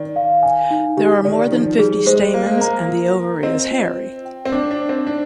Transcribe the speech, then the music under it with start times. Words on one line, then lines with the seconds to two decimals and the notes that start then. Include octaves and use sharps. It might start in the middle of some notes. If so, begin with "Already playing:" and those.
There are more than fifty stamens and the ovary is hairy.
Already playing: D#3 A#4 D5
0.16 F5
0.43 G#5
0.71 D#4
0.97 D#3 G4
1.25 D#3 D5
1.47 D#3
1.52 F3 D#4
1.79 G3 G#4
2.06 G#3 C5
2.34 A#3 F5
2.46 G#3
2.58 A#3 A#5
2.89 F4
3.16 A#4
3.43 C4 D#5
3.71 F4
3.98 C5
4.25 G5
4.45 C4
4.52 D4 D6
4.71 D4
4.80 C5
4.89 C4
5.07 D4 D#4